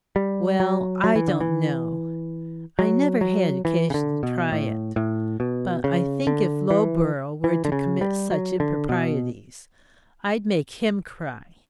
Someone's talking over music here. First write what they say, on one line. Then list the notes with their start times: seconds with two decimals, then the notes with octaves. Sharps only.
'Well, I don't know: I never had occasion to try it; but I think if Lowborough were to commit such improprieties, I'd make him cry.
0.16 G3
0.60 F#3
1.04 F#3
1.16 E3
1.28 D3
1.41 E3
2.79 F#3
3.21 F#3
3.65 E3
3.90 C#3
3.94 D3
4.23 B2
4.52 A2
4.96 A2
5.40 B2
5.84 C#3
6.27 D3
6.71 E3
7.44 E3
7.65 D3
7.72 C#3
8.01 G3
8.31 F#3
8.60 D3
8.89 B2